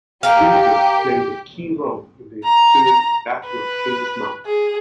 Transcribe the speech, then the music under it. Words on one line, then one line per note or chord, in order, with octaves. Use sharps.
Cleveland played a key role in the ensuing Battle of Kings Mountain.
G4 A#4 F5
A#5
B4
G#4